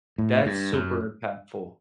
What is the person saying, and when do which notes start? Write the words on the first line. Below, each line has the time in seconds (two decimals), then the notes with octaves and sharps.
that's super impactful.
0.18 A2
0.46 G2
0.73 F#2